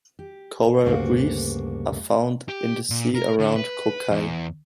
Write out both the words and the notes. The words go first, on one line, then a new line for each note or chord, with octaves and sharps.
Coral reefs are found in the sea around Ko Khai.
G4
D2 G2 C#3 A#3 D4 F#4
G4
A#2
A#4
D3
B4
E2